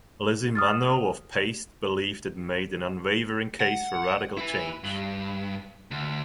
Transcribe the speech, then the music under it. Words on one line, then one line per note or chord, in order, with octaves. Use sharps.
Lizzie Manno of "Paste" believed it made an "unwavering case for radical change".
D#6 F6 A6
F#5
E4 B4
G2
D2